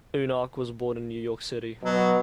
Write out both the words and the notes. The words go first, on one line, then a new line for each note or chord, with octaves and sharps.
Uhnak was born in New York City.
B2 F#3